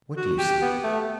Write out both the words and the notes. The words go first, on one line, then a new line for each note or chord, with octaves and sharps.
"What do you see?"
F#4
G4
B3
A3